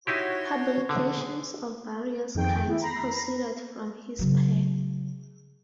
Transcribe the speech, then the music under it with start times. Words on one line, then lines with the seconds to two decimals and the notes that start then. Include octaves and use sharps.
Publications of various kinds proceeded from his pen.
0.07 D#4 E4 F#4 G4 C#5 C6
0.89 D3 G#4
2.35 F2 D#3 G#4 G5 D7
2.67 B3 E4
2.81 A#5 B5 A#6 C7
4.19 C#3 F#3